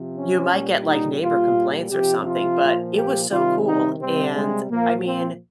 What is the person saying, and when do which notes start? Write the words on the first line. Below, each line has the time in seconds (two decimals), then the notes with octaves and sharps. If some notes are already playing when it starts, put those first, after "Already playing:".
you might get, like, neighbor complaints or something, but it was so cool, and I mean
Already playing: C3 F3
0.17 C#4
0.52 A#2 G3
0.87 D#4
1.21 A#2 G3 F4
1.91 C3 F3 G4
2.26 F4
2.61 A#2 F3
2.95 G4
3.30 C3 D#3 G3 F4
3.65 D#4
3.99 C3 G3 C4
4.35 G#3
4.69 A#2 F3 A#3
5.04 C4